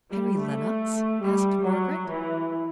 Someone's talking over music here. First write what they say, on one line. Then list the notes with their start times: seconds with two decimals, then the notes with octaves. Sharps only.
Henry Lennox?' asked Margaret.
0.10 G3
0.38 A3
1.23 G3
1.65 F#3
2.07 E3